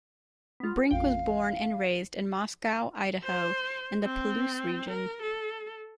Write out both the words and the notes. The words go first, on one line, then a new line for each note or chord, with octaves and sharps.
Brink was born and raised in Moscow, Idaho, in the Palouse region.
B3 F4
A1 F2 F5 G5
C5
C4
A#4
A4